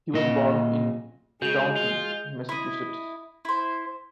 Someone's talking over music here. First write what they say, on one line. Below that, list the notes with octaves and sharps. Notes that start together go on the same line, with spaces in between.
He was born in Taunton, Massachusetts.
A#2 D#5
C#3 G#3 F#4 G6 F7
F4
E4 D#5
E4 C5